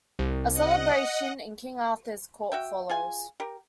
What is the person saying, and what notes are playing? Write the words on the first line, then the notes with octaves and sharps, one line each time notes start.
A celebration in King Arthur's court follows.
C2
D#5 F#5
F#4 E5 G5
F4 G#4 G#5
G4 A#4